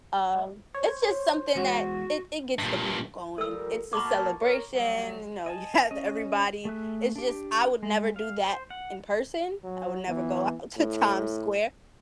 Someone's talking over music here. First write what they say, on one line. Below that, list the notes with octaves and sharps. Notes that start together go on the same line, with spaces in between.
um, it's just something that it it gets the people going, it's a celebration, you know, you have everybody, it's just, I would never do that in person. I would never go out to Time Square.
C5 C#5
E2 G#3 F#4 F#5
G2 A#2
F3 G3 A4 A#4 E6
B2 A#3 A5 B5 C#6 D6
A#4 C#5
F#3 G3
D#5 G#5 A5
C#4 D#5
A3 G#4 E5 F#6
D4 G4
G#3
F5
C5
F#5
F#3
E3 B3
A2